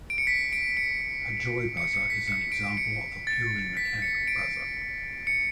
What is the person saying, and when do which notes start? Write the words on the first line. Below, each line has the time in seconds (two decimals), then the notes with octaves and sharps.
A joy buzzer is an example of a purely mechanical buzzer.
0.10 D7
0.18 C#7
0.27 B6
0.53 D7
0.77 C#7
1.77 C#7
1.94 C#7
2.10 B6
2.28 C#7
2.52 D7
2.77 C#7
3.27 A6
3.77 B6
4.02 C#7
4.27 D7
5.27 C#7